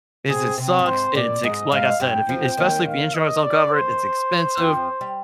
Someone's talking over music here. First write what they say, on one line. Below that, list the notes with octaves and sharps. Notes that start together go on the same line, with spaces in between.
is it sucks, it's ex like I said, if you especially if the insurance don't cover it, it's expensive.
C3 G#4
C3
G2
G#2 C5
A#2 D5
G#2 G#3 D#5
G#2 G#3 F5
G2 G3 G5
F2 F3
G5
D#2 D#3
F5
D#5
D5
C5
F2 F3
G3